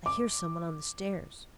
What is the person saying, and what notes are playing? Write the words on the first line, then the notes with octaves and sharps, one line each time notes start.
"I hear some one on the stairs."
D6